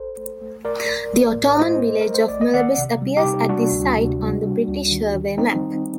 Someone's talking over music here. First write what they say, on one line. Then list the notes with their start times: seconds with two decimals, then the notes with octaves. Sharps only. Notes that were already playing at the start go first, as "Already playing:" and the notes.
The Ottoman village of Mulebbis appears at this site on the British survey map.
Already playing: A1 A4 C5
0.17 A3
0.41 A3
0.65 A1 A#4 D5
0.88 A1
1.13 A1
1.36 A2
1.59 A3 C5 D#5
1.83 A3
2.01 A#4
2.07 A3
2.14 C5
2.28 A1 D5
2.41 D#5
2.54 D#3 D5 F#5
2.78 C3
3.02 G3
3.17 D#4 G4
3.25 C3
3.49 G3 D4 F#4
3.72 D2
3.96 C3
4.19 G3
4.43 G3
4.67 D2
4.91 D#3
5.14 D#3
5.38 G3 C4 D#4
5.61 D#3